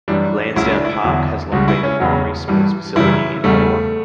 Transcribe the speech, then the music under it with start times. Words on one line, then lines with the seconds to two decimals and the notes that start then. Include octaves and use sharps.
Lansdowne Park has long been the primary sports facility in Ottawa.
0.08 F#2 E3 G3 D4
0.56 C#2 C#3 F#3 E4
0.70 D4
0.85 E4
1.04 E2 D3 F#3
1.52 C#2 C#3 G3 F#4
1.68 E4
1.83 C#4
2.00 E2 C#3 F#3
2.48 G2 E3 G3
2.96 F#2 C#3 E3 G3 E4
3.44 E2 C#3 G3 A3